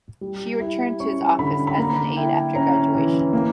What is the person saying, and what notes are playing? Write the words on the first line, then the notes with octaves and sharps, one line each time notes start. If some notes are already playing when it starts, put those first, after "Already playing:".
She returned to his office as an aide after graduation.
G3
E4
C#4 C#6
D3 B5
B5
A#3 A#5
E4 G5
C#4 A#5
E3
A#3